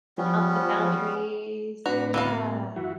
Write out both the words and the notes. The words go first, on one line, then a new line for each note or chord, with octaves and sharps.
And healthy boundaries, yeah.
F3 G3 B3 C#4
A2 C4 D4 F#4 B4 A#5
D2 E3 F#4 F5
A#3
F#2 E3 E4 F#4